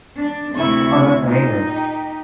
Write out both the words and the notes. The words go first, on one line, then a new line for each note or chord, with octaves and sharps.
Oh, that's amazing.
D4
D2 C3 E4 C#6
A#2 D#4
G4